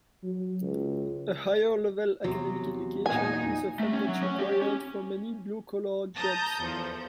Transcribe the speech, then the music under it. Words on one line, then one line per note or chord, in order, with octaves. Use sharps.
A higher level academic education is often not required for many blue-collar jobs.
F#3
C#2
E2 C3 F#3
A#2 D#4 G#5
A3
C#4
F#3
C#4 C#5
G4
C#4
A5 A#5 D#6 G6
E2 F3 A4